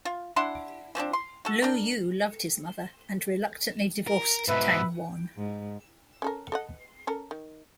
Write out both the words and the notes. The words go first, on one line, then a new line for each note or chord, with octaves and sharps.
Lu You loved his mother and reluctantly divorced Tang Wan.
F4
D4 E4 F#5 C6
E3 F3 C4 D4
C6
F#4 A4
D4 A#4
A#4
G#2 B2 B4 E5
G#2
C#4 A4 A#4
A4 D#5 F#5
C#4 A4 A#4
D#3